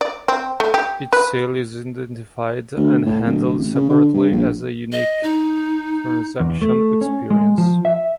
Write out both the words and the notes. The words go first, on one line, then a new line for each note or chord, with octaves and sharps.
Each sale is identified and handled separately as a unique transaction experience.
D5
C4
A3
G4
B4
D2
A2
D1
A1
C#3
D3
G2
A#1
D#5
D#4
E2
A3
C#4
G#3
F3
E5